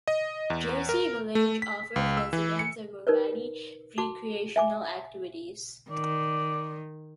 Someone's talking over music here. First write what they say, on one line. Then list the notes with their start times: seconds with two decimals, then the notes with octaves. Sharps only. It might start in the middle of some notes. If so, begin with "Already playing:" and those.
Jersey Village offers residents a variety of recreational activities.
0.08 D#5
0.50 E2
0.89 A#4
1.35 A3
1.62 B6
1.96 C#2
2.17 E6
2.33 E3
2.59 C#7
3.07 D#4 A#4 B4 C#5
3.98 F#4 A5 D6
4.56 E5 G#5 D6
5.91 D#3 D5